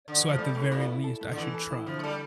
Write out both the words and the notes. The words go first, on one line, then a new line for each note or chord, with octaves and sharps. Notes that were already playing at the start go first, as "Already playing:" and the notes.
So, at the very least, I should try.
D3
E3
F3
G3 A3
A2 A3
A#2 E4
E4
A4
A3
D3
E3 E4
A4
E4
D3 F3
A3
G3 A4